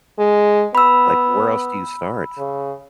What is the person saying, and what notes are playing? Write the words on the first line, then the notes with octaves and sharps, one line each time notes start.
like, where else do you start?
G#3
B3 B5 E6
C#3